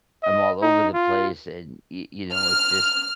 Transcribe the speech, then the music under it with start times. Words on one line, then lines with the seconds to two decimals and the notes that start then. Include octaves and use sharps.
I'm all over the place and, you you know, it's just
0.23 D#5
0.62 D#4
0.94 F4
2.35 F6